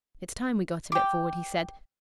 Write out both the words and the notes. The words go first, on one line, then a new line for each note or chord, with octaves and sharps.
"It's time we got a bit forward," he said.
G5 D6